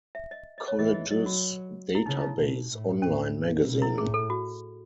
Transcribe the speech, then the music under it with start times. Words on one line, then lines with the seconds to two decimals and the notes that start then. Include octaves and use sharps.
Colleges Database Online Magazine.
0.15 E5
0.31 D#5
0.58 D#5
0.68 C#5
0.79 E3 D#5
0.94 D#5
1.10 F#3 D#5
1.26 F#4
1.95 E4
2.06 C#3 D#4
2.18 E4
2.22 D#4
2.38 B2
2.71 A2
3.02 A2 C#4
3.66 B2
3.82 E4
3.98 A2 G#4
4.14 A4
4.30 F#4